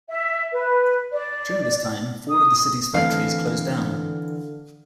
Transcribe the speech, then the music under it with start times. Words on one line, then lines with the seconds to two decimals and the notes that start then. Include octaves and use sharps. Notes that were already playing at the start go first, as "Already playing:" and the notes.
During this time, four of the city's factories closed down.
0.08 E5
0.53 B4
1.13 D5
2.28 D#6
2.94 D3 E3 A3 C4 F5